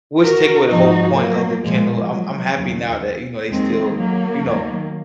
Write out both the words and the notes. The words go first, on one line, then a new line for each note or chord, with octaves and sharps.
which take away the whole point of the Kindle; I'm I'm happy now that, you know, they still, you know,
F#4 A#4
G#2 F3 D#4 F#4
F#3 A#3
A#2 F3 G#3
F#3
D#2 C#3 F#3
D#2 D#3 F#3 G#3 C4
F#3 A#3
D#2 D#3 F#3